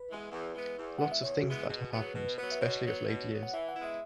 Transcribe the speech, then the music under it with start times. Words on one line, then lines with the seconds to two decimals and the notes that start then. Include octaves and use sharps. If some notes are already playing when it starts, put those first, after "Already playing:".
Lots of things that have happened — especially of late years.
Already playing: B4
0.09 E3 G#3 B3
0.32 E2
0.55 E3 G#3 B3
0.79 E2
0.99 E3 G#3 B3 F#5
1.12 E5
1.23 E2 C#5
1.42 F#4
1.47 E3 G#3 B3 G#4
1.69 B2
1.92 F#3 B3
2.15 B2 B4
2.38 F#3 B3 B4
2.52 E5
2.61 B2 C#5
2.84 F#3 B3
3.08 B2
3.30 F#3 B3
3.43 F#5
3.53 E3 E5
3.69 F#5
3.76 G#3 B3 E4
3.84 E5